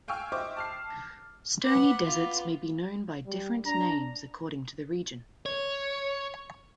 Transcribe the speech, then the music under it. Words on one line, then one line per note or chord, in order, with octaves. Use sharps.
Stony deserts may be known by different names according to the region.
F5 G5 G#5 C#6 E6 F6
C5 D#5 E5 G5 C#6 D6
A5 F6 C7
B3 F#5 D6
B3 F4
G3
D4 A#5
C#5